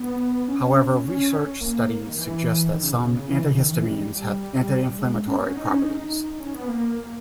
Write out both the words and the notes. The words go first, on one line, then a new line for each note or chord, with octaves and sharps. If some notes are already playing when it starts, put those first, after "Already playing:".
However, research studies suggest that some antihistamines have anti-inflammatory properties.
Already playing: B3
C#4
C#4
A#3
D#3
E3
D#3
C#3
B2
C#3
E3
C#3
D#3
E3
G3
G#3
C#4
B3
C#4
D#4
C#4
D#4
C#4
B3
A#3